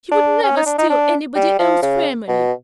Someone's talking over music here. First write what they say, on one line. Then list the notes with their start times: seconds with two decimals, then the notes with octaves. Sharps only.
He would never steal anybody else's family!
0.11 D4
0.43 C#4
0.57 D#4
0.66 D4
0.78 D#4
0.90 D4
1.35 G3
1.59 F3
1.82 C#3
2.28 B2